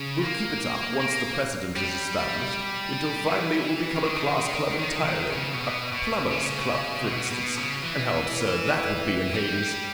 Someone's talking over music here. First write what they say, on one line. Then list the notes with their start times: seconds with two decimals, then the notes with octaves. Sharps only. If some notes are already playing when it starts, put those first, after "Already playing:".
We'll keep it up, once the precedent is established, until finally it will become a class club entirely--a Plumbers' Club, for instance--and how absurd that would be in Hades!
Already playing: C#3
0.24 A#3
0.99 A#3
1.76 G3
3.27 E3
3.96 C#3
4.03 D#3
4.79 D#3
5.04 D#3
5.30 C#3
5.54 B2
5.92 B2
6.31 C#3
7.06 B2
7.31 B2
7.57 C#3
7.83 E3
9.34 G3